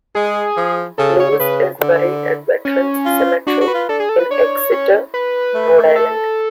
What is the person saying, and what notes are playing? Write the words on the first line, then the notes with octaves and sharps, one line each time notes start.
Luz is buried at the Veterans Cemetery in Exeter, Rhode Island.
G#3 G#4
F3
C#3 A4
C#5
D3
C#3 B4
D3
C#4
F4
D4 F#4
F#4
B4
F4
D4 A4
G#4
A4
B4
D4 C#5
C#4
B4
A3
A4